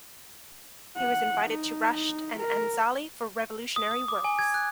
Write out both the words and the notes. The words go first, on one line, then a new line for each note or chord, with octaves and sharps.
He was invited to Rasht and Anzali for revolutionary works.
F#5
D#4
A#4
D#6
D#6
D6
G#5
G#6
F#6